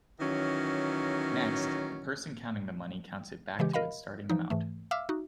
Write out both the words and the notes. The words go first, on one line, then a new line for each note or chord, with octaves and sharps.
Next, the person counting the money counts it back to its starting amount.
D#3 E3 F#3 C#4
C#3 E3 G#3 G4
A#4 D#5 F5 B5
E3 F3 D#4
G#2 E3 A3
E5 F5 D6 E6 F6
D#4 F#4